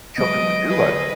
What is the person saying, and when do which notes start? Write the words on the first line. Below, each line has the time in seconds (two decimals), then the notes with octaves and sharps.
children would do, I'd
0.18 F#3 G#3 B3 B4 D#5 D7
0.66 G#4 B4 D#5